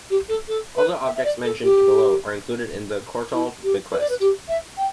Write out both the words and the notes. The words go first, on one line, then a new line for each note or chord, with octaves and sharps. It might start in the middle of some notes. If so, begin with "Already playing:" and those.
All the objects mentioned below are included in the Courtauld bequest.
G4
A4
A4
B4
E5
E5
D5
A4
G4
E4
G4
B4
D5
B4
G4
E5
G5